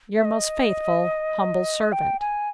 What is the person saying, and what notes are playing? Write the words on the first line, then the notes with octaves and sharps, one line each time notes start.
'Your most faithful humble servant.'
E5
D#5
G5
G#5